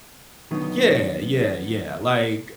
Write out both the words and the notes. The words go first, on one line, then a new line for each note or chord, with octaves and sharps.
Yeah, yeah, yeah. Like,
D#3 F#3 B3 D4 D#4